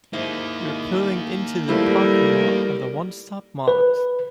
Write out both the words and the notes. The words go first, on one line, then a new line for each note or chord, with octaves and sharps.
You are pulling into the parking lot of the One Stop Mart.
G#2 A#3 D#4 E4
F3 G3 A3 E4 A#4
B4